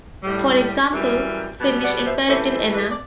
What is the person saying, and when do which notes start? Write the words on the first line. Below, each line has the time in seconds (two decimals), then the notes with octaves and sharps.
For example, Finnish imperative anna!
0.23 A2 G3
0.91 F#2 E3 G3
1.60 B2 G3
1.83 D5 F#5
2.05 C5 E5
2.28 G2 E3 A3 C5 E5
2.51 C5 E5
2.73 B4 D5
2.90 D5